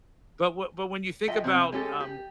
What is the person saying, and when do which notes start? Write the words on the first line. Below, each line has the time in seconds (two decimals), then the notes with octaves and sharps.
But wh but when you think about, um,
1.28 F3 D#5 E5 G5
1.44 C3 C4
1.72 G#3 C#4 G4 A4
2.00 G4